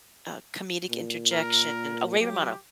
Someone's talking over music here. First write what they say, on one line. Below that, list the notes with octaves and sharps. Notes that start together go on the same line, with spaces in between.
uh, comedic interjection. Oh, Ray Romano,
A#2
A#4
F#3 G4